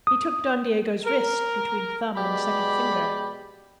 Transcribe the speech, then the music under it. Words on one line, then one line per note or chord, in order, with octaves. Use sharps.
He took Don Diego's wrist between thumb and second finger.
D#6
A#4
B2 G#3 G4 D5 B5